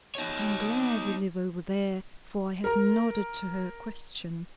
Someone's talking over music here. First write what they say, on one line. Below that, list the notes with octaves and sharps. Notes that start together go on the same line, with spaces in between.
"I am glad you live over there," for I had nodded to her question.
D#4 C#5
A#4 A#5